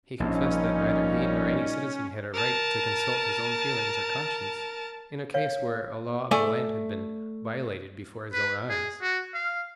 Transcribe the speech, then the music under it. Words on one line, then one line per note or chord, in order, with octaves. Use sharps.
He confessed that neither he nor any citizen had a right to consult his own feelings or conscience in a case where a law of the land had been violated before his own eyes.
A#1 A#2 G3 C#4 D#4
A#4 A5
C#5 F5
A3 D5 G#5
B4
G#4
F#4
F5